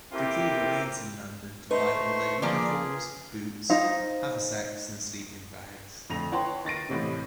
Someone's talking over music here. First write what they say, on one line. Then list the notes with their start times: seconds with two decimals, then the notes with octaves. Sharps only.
Dupree remains in London to buy all their uniforms, boots, haversacks and sleeping bags.
0.12 A#3 C4 E4 F4 G4 A4
1.71 A3 D#4 B4 C5 C#6
2.42 F3 A#3 F4 G#4 D5
3.70 D#4 C5 F5
6.10 F2 D3 A3 A#6 F7
6.32 B4 C#5 F#5 G5 A5 C6
6.65 D#3 A6 A#6 D7
6.89 A1 A2 C3